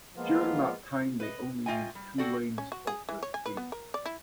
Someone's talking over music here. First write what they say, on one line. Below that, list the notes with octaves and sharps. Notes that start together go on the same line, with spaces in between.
During that time they only use two lanes of the three.
F3 G#3 A#3 B3 F4
B4 D#5
A3 F4 D#5 G5 G#5
G3
C4 F#4 A4 D5
C#4
F#4
G#4
E3
C#5
G#5
B4
B3
A#4
D5
E4